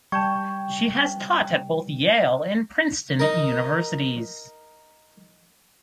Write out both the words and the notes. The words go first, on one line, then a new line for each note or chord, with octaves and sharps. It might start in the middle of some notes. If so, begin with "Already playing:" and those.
She has taught at both Yale and Princeton universities.
G3 G5 A5 C#6 G6 G#6
D#4 A#4